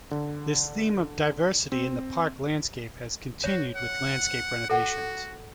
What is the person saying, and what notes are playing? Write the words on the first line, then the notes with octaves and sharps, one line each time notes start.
This theme of diversity in the park landscape has continued with landscape renovations.
D3
C4
F#4 C#5
F#5
F#4 A4 F#5